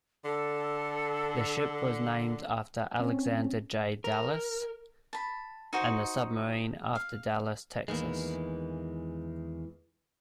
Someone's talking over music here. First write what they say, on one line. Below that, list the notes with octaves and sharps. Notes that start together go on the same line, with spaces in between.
The ship was named after Alexander J. Dallas and the submarine after Dallas, Texas.
D3 A4
C4 C#4
A#4
A5 B5
D#4 F#4 C5
F5
E2 D#3 E3 G#3 A#3